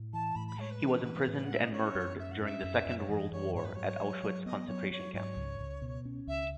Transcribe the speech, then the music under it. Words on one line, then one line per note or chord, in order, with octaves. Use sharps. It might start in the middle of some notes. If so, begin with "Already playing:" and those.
He was imprisoned and murdered during the Second World War at Auschwitz concentration camp.
Already playing: A2
E3 A5
A2 B5
B5
G#3 C#5
B4
E3
E3
A2
F#5
G#3 E5
D#5
C#4 C#5
F#2
C#4 E5
F#5
C#4 E5
F#2
F#2
C#5
E3 D#5
F#2 C#5
G#2 C#5
B4
F#3 C#5
F#3
F#3
B3 D#5
F#3 C#5
F#3 C#5
G#2 C#5
C#2
C#2
B2
C#4
C#2 E5